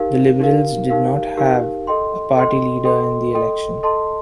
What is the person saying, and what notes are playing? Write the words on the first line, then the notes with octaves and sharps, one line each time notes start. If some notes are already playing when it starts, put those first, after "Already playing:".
The Liberals did not have a party leader in the election.
Already playing: D#4 G4 A#4 F5
D#4 G4 A#4 F5
D#4 G4 A#4 F5
D#4 G4 A#4 F5
A4 D#5 G5 C6
A4 D#5 G5 C6
A4 D#5 G5 C6
A4 D#5 G5 C6
A4 D#5 A5 C6